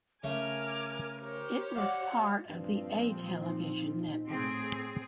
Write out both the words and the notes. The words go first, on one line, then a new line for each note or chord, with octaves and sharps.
It was part of the A television network.
C#3 A3 A#4 G#5 D6 F6
G4 A#4 C5 C#5
D5 F5 F#5
G2 A#2 F3 C4
D#4
A2 C4 G#4